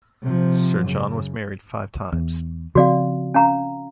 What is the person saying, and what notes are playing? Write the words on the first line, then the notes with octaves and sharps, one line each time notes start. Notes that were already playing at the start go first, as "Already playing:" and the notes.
Sir John was married five times.
C3 F3
F#2 C#3
E2
C#3 F3 C4 F#4 D5 F5
C#4 F5 A#5